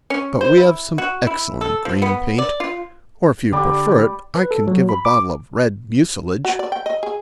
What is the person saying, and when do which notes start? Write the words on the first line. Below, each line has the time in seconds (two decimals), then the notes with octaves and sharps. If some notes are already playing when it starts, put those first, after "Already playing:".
"But we have some excellent green paint, or, if you prefer it, I can give a bottle of red mucilage."
0.10 C#4
0.41 C5
0.57 E4
0.98 F#4
1.27 E4
1.61 A4
1.85 F3
2.02 B3
2.38 D5
2.60 F4
3.52 D3 G4 D5 B5
4.36 B4
4.51 A4
4.67 F#3
4.89 B5
5.05 D6
6.45 F#4
6.59 D5
6.72 G5
6.86 D#5
7.03 G#4